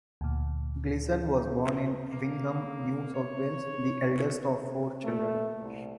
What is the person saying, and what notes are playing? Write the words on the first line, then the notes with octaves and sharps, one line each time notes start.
Gleeson was born in Wingham, New South Wales, the eldest of four children.
D2 A#2
A#3
C#5
A3
C2